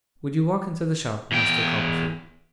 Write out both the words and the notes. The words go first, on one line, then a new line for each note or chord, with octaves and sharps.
Would you walk into the shop, Master Copperfield?'
E2 G5